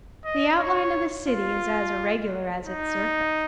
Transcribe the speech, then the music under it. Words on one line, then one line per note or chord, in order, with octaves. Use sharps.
The outline of the city is as irregular as its surface.
D#5
C#5
F4
D#4